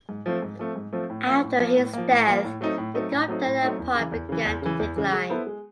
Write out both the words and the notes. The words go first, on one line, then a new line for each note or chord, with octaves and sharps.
After his death, the Gupta empire began to decline.
G#2
F3 A3 C4
G#2
F3 A3 C4
G#2
F3 A3 C4
A2
F3 A#3
A2
F3 A#3
A2
F3 A#3
A2
F3 A#3
A2
F#3 A3 C4 D#4
A2
F#3 A3 C4 D#4
A2
F#3 A3 C4 D#4
A2
F#3 A3 C4 D#4
E2
C#3 E3
E2
C#3 E3
E2
C#3 E3
E2
C#3 E3
G#3
B3 E4 A4 C5
G#3